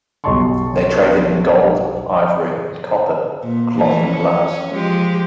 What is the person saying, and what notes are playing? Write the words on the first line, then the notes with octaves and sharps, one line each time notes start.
They traded in gold, ivory and copper for cloth and glass.
B1 G3 D#5 A5 C6 C#6
A#2
E3 A3
C#4
F3 G#3 G4